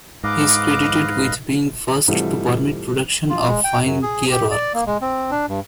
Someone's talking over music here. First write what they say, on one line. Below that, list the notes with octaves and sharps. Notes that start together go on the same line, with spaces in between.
He is credited with being first to permit production of fine gear work.
G#2 B4 D#5 F5 D6
G#2 C3 E3 F3 G3 A3
F4
G#3
G5
F#2
G#4
G4
D5
A#3
G#3
C4
D4
G2